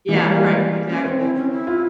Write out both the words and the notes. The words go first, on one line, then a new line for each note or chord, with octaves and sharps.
Yeah, right, exactly.
E3 A#3
G3
G#3
A#3
C#4
C4
E4
C#4
E4
F4